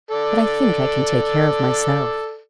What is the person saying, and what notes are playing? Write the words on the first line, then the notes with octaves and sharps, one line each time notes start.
But I think I can take care of myself.
A4 D5